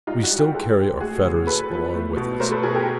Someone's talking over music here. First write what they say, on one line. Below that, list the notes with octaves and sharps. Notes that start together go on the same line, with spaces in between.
We still carry our fetters along with us.
G3 D#4 F4
E4 F#4
G3
F4 G4
G#3 G4 A4
C3
A3 F#4 G#4
C#3
A2 A4 B4
F3
A3
B2
A3 A#4 C5
A4 B4
B2 G#4 A#4
G4 A4